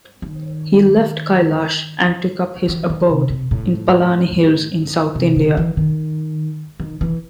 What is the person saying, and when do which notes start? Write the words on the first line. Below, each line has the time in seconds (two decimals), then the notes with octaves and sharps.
He left Kailash and took up his abode in Palani hills in South India.
0.22 D#3
2.69 E3
2.90 D#3
3.09 C3
3.30 C3
3.51 A2
5.15 C3
5.37 C#3
5.57 E3
5.77 D#3
6.80 D#3
7.01 E3